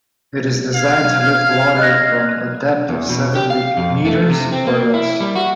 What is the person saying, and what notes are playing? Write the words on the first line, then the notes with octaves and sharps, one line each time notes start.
It is designed to lift water from a depth of seven metres or less.
F5 F6 G#6
D#5 F#6 A#6
E2
B2
G4
F5
F2
A3
C3
C4
A#3
E4
G3
F#4